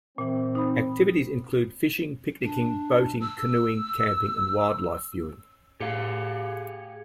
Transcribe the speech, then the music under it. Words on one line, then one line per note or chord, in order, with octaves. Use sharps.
Activities include fishing, picnicking, boating, canoeing, camping and wildlife viewing.
A#2 E3 C4
D#4 C5 B5
D4
E6
A2 G4 G#4 F5 C#7